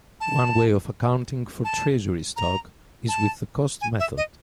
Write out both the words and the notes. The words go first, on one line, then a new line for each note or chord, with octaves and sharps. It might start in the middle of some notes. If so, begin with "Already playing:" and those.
One way of accounting for treasury stock is with the cost method.
A5
A5
A#5
A5
G#5
E5
D#5